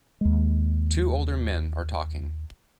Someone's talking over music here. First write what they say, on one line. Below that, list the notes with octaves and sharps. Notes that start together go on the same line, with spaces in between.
Two older men are talking.
D#2 G#3